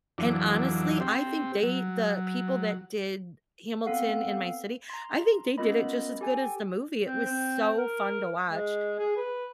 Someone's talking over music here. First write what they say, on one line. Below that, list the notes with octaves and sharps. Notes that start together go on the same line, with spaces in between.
And honestly, I think they the people that did Hamilton in my city, I think they did it just as good as the movie, it was so fun to watch.
F2 E3 F#3 D4
C4 G4
F#3
B3 C4 A4 F5 F#5
A#5 C6
B3 C#4 F4 A#4 D#5 B5
G4 A4 G5 G#5
C4
C4
A#4
G#3
G#4
B4